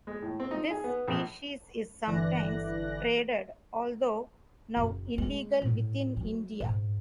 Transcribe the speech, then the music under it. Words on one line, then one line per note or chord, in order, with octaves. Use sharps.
This species is sometimes traded although now illegal within India.
G#3
A2
C4
D#4
G#4
B3
A#1
G1 D3 E3 D5 F#6 A#6
F#1
G#3
A2
F#3
G#2